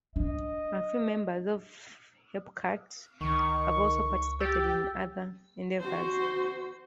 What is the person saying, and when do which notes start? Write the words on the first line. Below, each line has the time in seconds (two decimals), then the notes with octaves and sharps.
A few members of Hepcat have also participated in other endeavors.
0.16 D4 D#5
3.21 C#2 D#3 C#6
4.40 G4 E6 G6 A6
5.80 F#4 C5